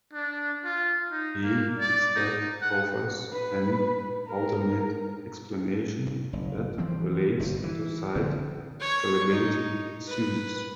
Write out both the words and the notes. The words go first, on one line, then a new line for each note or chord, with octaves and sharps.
He instead offers an alternate explanation that relates to site scalability issues.
D4
F4
D#4
A#3
D5
D#4
F#5
B4
A#4
F#1
E3 F3 C4
G1 G2
E3
D3 F3 C4
C#5
D#4
B4